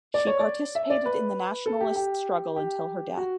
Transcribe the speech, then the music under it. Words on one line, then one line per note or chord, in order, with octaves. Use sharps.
She participated in the nationalist struggle until her death.
D5
C#5
D5
E5
D5
B4
A4
G4
G4
G4
F#4